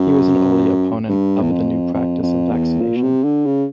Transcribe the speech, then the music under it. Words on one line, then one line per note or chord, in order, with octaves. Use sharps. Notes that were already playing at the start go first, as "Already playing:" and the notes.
He was an early opponent of the new practice of vaccination.
Already playing: F#2
G2
E2
F2
F2
F2
E2
A#2
B2
C3
D3
C#3